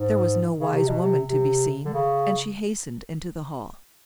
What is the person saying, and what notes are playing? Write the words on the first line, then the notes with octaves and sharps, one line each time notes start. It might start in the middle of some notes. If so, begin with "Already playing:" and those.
There was no wise woman to be seen; and she hastened into the hall.
Already playing: G#2
C#3
C3
B2
C3
C3
D3
C#3